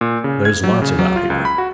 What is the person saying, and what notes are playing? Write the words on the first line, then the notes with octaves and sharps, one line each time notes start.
'There's lots about here.'
A#2
C#3
G#6
F#3
C#3
F#3
F4
C#2
B5
F#4